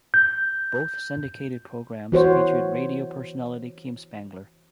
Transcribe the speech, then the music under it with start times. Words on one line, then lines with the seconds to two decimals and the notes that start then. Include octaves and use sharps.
Both syndicated programs featured radio personality Kim Spangler.
0.14 G6
2.12 E3 F#4 C5 C#5